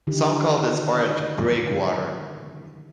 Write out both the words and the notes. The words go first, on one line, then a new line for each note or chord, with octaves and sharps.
Some call this variant "Breakwater".
D3 D#3 D#4 E4 G4